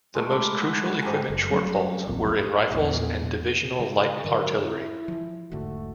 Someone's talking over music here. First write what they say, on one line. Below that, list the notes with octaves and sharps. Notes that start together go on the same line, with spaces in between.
The most crucial equipment shortfalls were in rifles and divisional light artillery.
G#3 A3 A#4
B5 D6
F#5
F#5
G#2 G4 A#4 G#5
F#1
F#3 G3 A3 C#4
D#1 B1 F2 A#2
A#1 E2
C#3 G3 E4
G2 D3 E3 F#3 A#4
E4
E3 F3
E1 G#2 D3 A3 F#4